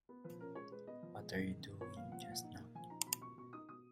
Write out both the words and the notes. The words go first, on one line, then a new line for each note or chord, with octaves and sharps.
What are you doing just now?
B3
F3 B4
C#4 A#4
G#3 C#5
G#3 B4
B3 D#5
F3
G#3
C#3
D#3
D#3
B3 C#5
A#2 F5
F3 F#5
F5
A#2 F#5
D#4
A#3
F3 G#5
D#4 A#5
B2 B5
B2 C#6
B2 C#6
D#4 D#6
B2 D#6